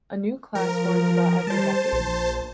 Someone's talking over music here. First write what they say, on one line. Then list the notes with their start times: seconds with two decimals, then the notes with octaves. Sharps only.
A new class forms about every decade.
0.55 F3 A#4
1.47 G3 C5 A5
1.92 A#1